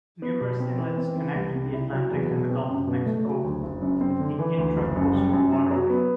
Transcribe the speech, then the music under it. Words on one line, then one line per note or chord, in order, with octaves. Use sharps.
Numerous inlets connect the Atlantic and the Gulf of Mexico with the Intracoastal Waterway.
B3
B2
C4
E3
C4
E3
C2
C3
E4
F#3
E2
B2
C4
F#2
B2
A3
F#3
D2
F#1
F#2
C4
D3
E3
D2
F#1
F#2
G3
F#2
F#2
F#3
B3